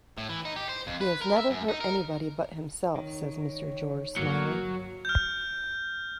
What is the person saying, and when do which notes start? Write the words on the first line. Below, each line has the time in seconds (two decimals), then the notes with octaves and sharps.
"He has never hurt anybody but himself," says Mr. George, smiling.
0.18 A2
0.29 E3
0.45 D#4
0.56 G4
0.69 C5
0.87 F2
1.01 B4
1.22 A#4
1.38 E5
1.50 F#2
1.68 D#4
1.81 A#4
2.96 D#3 C#5
4.16 G1 F#3 A#3 C#7
5.05 F6 G6